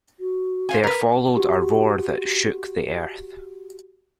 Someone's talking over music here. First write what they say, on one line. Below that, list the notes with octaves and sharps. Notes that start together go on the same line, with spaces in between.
There followed a roar that shook the earth.
F#4
C5 F5 G#5
A#4 B4
F#4 G4